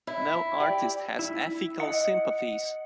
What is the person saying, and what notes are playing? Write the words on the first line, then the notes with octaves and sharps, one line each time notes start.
No artist has ethical sympathies.
E4
G4 D5
E4
D#5 F#5